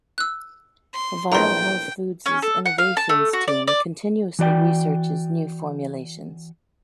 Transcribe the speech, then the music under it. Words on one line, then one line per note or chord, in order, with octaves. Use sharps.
Vital Health Foods' innovations team continuously researches new formulations.
E6 F#6
C6
A#1 E2 A2 G5 A#5 C6
C#4
A4
F#5
F5
A5
A3
F#4
D5
D5
E3 F#4 D5 G5